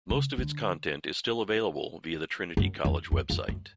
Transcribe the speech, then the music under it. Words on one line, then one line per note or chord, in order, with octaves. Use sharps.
Most of its content is still available via the Trinity College website.
C#3
D3
F#2
E2
F2
F2
F#2